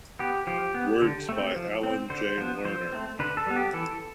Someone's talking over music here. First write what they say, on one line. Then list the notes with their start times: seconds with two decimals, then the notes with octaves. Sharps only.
Words by Alan Jay Lerner.
0.19 B3 G4
0.47 F3 G4
0.74 B3
1.02 D3
1.29 A3 C4
1.56 F3
1.83 C4
2.10 D3 C5
2.38 F3 B3
2.65 F3 C5
2.93 A3 C4
3.19 D3 B4
3.37 A4
3.47 G3 B3
3.56 G4
3.73 E3 A4